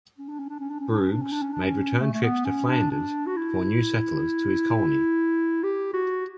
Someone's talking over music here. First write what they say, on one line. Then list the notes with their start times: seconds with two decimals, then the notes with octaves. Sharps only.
Bruges made return trips to Flanders for new settlers to his colony.
0.18 C#4
0.29 D4
0.39 C#4
0.49 D4
0.60 C#4
0.70 D4
0.81 C#4
0.91 D4
1.01 C#4
1.11 D4
1.22 C#4
1.32 D4
1.42 C#4
1.53 D4
1.63 C#4
2.00 A3
2.13 A3
2.23 B3
2.45 C#4
2.68 D4
2.91 D4
3.26 F#4
3.37 E4
5.63 G4
5.94 F#4